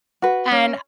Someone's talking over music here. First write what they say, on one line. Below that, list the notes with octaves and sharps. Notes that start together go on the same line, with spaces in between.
And I
F#4 B4
C#4